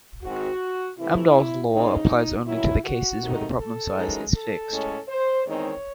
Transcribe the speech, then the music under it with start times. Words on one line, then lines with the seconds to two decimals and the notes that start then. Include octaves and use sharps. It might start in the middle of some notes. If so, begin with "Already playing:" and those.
Amdahl's law applies only to the cases where the problem size is fixed.
0.23 G#2 D#3 G#3 C4 F#4
0.98 C3 E3 A3 E4
1.73 C#3 G#3 C4 D#4
2.47 D#3 F#3 C#4 E4
2.85 F#4
3.22 C3 D#3 A3 D#4
3.59 A4
3.96 F#2 E3 G#3 D#4
4.34 A4
4.71 A2 G#3 C#4
5.09 C5
5.46 E2 D#3 G#3 C4 D#4 C#5